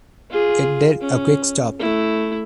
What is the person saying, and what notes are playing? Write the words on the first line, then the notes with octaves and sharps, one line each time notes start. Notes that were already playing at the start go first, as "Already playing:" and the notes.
It did a quick stop.
F4 G#4
C#4
A3 E4